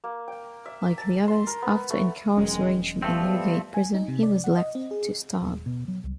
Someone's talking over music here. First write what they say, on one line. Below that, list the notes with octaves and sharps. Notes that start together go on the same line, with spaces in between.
Like the others, after incarceration in Newgate Prison he was left to starve.
A#3
G5
E5
A5
C6
A#4
B3
A3
E1 D#3 F#3 G#3 C#4
F3 G3 A3 B3 C4
G#5
D#4
C3
D5
F#5
D#5
C4
G#4
D#1
B2
F#3
C2